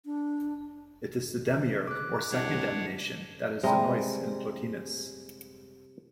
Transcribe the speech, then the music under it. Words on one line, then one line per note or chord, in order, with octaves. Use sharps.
It is the demiurge or second emanation that is the nous in Plotinus.
D4
D6 F#6
C2 D4 C#5 F#5
C3 G3 G#3